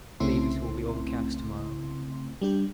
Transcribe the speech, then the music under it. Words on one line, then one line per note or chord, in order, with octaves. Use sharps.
I believe it will be overcast to-morrow.
C2 C#3 A3 C4 E4 C6
G3 D4 G4